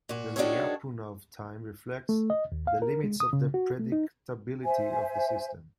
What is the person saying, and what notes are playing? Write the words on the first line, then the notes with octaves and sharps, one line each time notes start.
The Lyapunov time reflects the limits of the predictability of the system.
A#2 F#4
D#3 D4 F#4 G#4 A4 C#5
A3
D#5
D#2
F5
A#4
G#3
D#6
C#3
F#4
A3
D#4
C5 E5 G#5